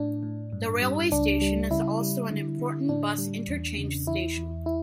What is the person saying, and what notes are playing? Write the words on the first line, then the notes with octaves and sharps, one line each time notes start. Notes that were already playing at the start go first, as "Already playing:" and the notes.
The railway station is also an important bus interchange station.
Already playing: A2 D4
A2
G2
G3
C#2 D4
G3
C#3 E4
G3
D3
D3
A2 D4
G3
E2
C#3
E2 E4
E2
E4